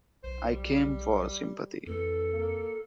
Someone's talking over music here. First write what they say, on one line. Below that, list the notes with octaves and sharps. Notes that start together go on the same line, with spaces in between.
I came for sympathy.
B1 C5
G3
F2 E3 A4
A#3